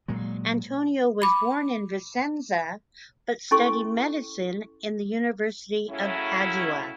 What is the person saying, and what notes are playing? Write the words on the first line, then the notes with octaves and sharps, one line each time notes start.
Antonio was born in Vicenza but studied medicine in the University of Padua.
A#2 F#3 G#3
B5 D6
C#4 E4 A4 G#5 C6 C#6
A2 C#3 F#3 C#4 E4